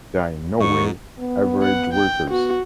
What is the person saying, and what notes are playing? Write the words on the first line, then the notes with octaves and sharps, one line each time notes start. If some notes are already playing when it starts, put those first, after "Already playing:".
They are in no way average workers.
G#2 C#6
B3
F#5
G5
B3 F#4